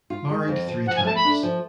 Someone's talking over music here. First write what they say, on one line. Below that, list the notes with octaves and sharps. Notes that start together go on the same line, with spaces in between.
Married three times.
F4
G#3
F2
F3
F3 F#5
G#5
A3 A5
B5
D4
F3